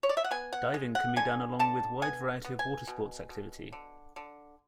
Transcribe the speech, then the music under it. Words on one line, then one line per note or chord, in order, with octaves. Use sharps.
Diving can be done along with wide variety of water sports activity.
C#5
D5
E5
F#5
B3 G#5
F#5
G#3
F#5
D3 G#5
D3 A5
B3 G#5
B3
G#5
B2
B2
D3
D3